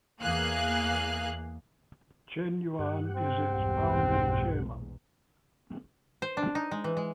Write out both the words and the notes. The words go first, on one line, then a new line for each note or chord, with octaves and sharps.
Chen Yuan is its founding chairman.
E2 A#3 G#4 F5 F#6
G2 G4 F#5
C4
B1 E2 G#2
C5
D4
D#4
G#3
E3
G#3